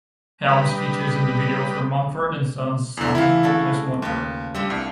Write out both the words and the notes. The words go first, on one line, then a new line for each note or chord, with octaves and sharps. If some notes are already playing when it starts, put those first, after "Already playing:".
Helms features in the video for Mumford and Sons' song "Hopeless Wanderer".
G3 B4 D#5
E2 D3
E3 A3 E4 G4 F5
C#3 F#4 A4
D#2 F4 B4
G3 D4 F4 E5
C2